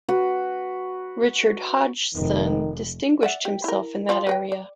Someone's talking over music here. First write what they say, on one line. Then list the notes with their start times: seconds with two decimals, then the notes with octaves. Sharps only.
Richard Hodgson distinguished himself in that area.
0.08 F#4 B4
2.14 F1 D#3
3.23 D5 E5 F#5
3.45 G4
3.64 E4 A#4
4.09 F3 F4 D5
4.27 B4 D5 G5
4.52 D5